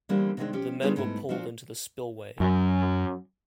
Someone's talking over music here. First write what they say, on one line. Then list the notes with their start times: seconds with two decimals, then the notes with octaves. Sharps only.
The men were pulled into the spillway.
0.09 D3 E3 G3 A#3 C4 D4
0.37 C3 D#3 G3 G#3 C4 D4
0.53 F3 C#4 G4
0.81 G3 B3 C#4 D4 F4 G#4
0.96 G#2 A3 B3 E4
1.29 F3 A#3 C4 D4 F4 F#4
2.40 F#2 F#3